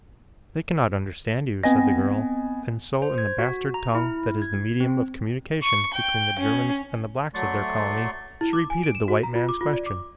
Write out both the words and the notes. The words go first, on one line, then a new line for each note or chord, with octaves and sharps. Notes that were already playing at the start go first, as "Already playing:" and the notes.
"They cannot understand you," said the girl and so in the bastard tongue that is the medium of communication between the Germans and the blacks of their colony, she repeated the white man's question.
B3 C4 D#5 G#5 A#6
C5
G#6
F#4
A#5
E4
G#6
C4
C#6
G5
C#4
F#3 A3 D5 C6 C#6
E4
D6
G#5
D7
E7
F#4
A#5
F4
D6
F4
D5
D6